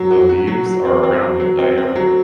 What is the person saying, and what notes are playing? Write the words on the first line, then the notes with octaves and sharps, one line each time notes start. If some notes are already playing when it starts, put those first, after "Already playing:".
The leaves are around in diameter.
Already playing: F#3
F#4
F#4
F#3
F#3
C4
C4
F#3
F#3
C4
C4
F#3